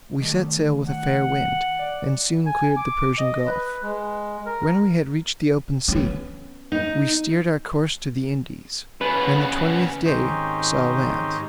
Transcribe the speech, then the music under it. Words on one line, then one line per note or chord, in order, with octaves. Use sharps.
We set sail with a fair wind, and soon cleared the Persian gulf; when we had reached the open sea, we steered our course to the Indies; and the twentieth day saw land.
D#3 G3 A3
F#5
D5
G#5
D6
D#5
B4
G#3
A#4
B3 C#4
D#4
C#3 B3 B4
G#2 D#3 C4 C#4 D#4 G4